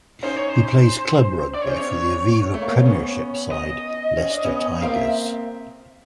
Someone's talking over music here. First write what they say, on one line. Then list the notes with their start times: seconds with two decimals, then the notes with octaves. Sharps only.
He plays club rugby for the Aviva Premiership side Leicester Tigers.
0.23 C#4 D#4 C5
0.36 C#5
0.49 C5
1.54 D4 D5
1.62 C#5
1.67 C#4 C5
1.76 C4 D4 C#5
2.54 A3
2.62 A#3
2.70 B3
2.78 C4
2.85 B3 C#4
3.51 D#5
4.17 C#4
4.30 D4
4.44 B3 C#4
4.82 A#3 C4 F5
4.96 E5